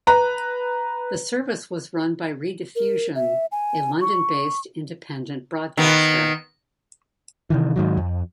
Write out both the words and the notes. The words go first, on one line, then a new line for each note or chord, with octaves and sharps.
The service was run by Rediffusion, a London-based independent broadcaster.
B4 A#5
A#4
E5
G#5
C#6
D#3 B3
C3 D#3 E3
G#2 D#3 F#3
F2